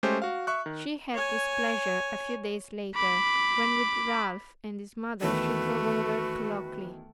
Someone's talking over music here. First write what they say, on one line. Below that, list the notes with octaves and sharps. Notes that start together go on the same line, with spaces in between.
She had this pleasure a few days later, when, with Ralph and his mother, she drove over to Lockleigh.
G#3 A3 C#4 G4 C5
F#4 F5
E5 C#6 F#6
D#3
C#5 G#5
B5 D6
E2 D#3 E3 A3 F#4 B4